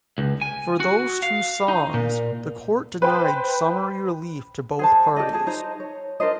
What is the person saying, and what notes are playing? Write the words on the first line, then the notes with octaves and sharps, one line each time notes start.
For those two songs, the court denied summary relief to both parties.
C#2
G#5
F#4
F5
D#4
A#2
B4 C5 G5
G#4 C5 A5
G4 A4 D5 D#5
G#4 A5
D#4 C5 D#5 A#5
C#5
D4 A#4 C5 D#5